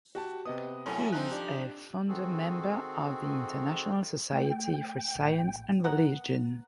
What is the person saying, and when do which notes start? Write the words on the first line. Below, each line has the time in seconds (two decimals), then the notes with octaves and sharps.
He is a founder member of the International Society for Science and Religion.
0.15 F#4 G4 A5
0.45 C3 B3 D#5 D#6
0.86 F#2 A2 C#4 A4 G#5
1.12 F3 C4 D#4 F#6
1.31 D4 G4
2.08 D#3 C4 F#4 G#4 A4
4.32 A3 G5
5.16 A#1 A2
5.84 B3 A#4 F#5